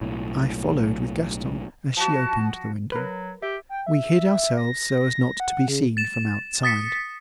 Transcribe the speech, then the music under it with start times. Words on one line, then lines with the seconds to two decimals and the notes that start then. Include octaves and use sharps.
I followed with Gaston as she opened the window. We hid ourselves so as not to be seen from outside.
0.01 B1 A2
1.97 F3 F#4 A5
2.92 F#3 A#4 B4
3.42 G4 E5
3.69 G5
3.86 E5
4.57 A#6
5.40 F#5
5.68 C#3
5.97 A6 E7
6.63 D#6 A6 B6 C#7